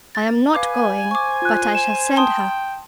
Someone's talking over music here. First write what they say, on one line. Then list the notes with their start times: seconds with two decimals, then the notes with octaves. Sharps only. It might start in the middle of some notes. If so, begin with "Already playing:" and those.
"I am not going, but I shall send her."
0.15 A6
0.55 B4 F5 G#5 D6
1.11 C5 C#6 D6
1.42 F4 F#6
1.75 E7
2.16 G5 A5 C6 D#6